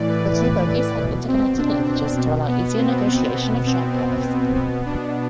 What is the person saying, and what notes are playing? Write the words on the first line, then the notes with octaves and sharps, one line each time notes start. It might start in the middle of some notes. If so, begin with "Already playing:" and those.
The two bogies had interconnecting linkages to allow easier negotiation of sharp curves.
Already playing: A2 E3 D5
B4
B4
B2
C4
D4
B2
B3
C4
B2 B3
C4
C4
B2 B3
D4